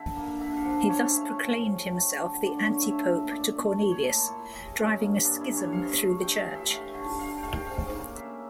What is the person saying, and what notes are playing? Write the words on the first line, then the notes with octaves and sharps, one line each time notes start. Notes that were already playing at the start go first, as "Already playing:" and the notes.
He thus proclaimed himself the antipope to Cornelius, driving a schism through the church.
Already playing: D3 E5
A#3
D3 E5
F5
F3
C#3 C#5
E5
A3
F5
C#3
F3
A3 G5
D3
D3
D5
A3 C#5
F5
A3 E5
A#2
A#2 D5
A3
A2 C#5
C#5
A#3 A4
F4
A2 E4
E3
G2 C#4
A#3
G2 D4
E4
E3
C#5
G2 F5
A3
G2 G5
F5
E3
E5
A3 F5
D3
D3 F5
G5
A3 F5
G5
C#3 F5
A#3
C#3 E5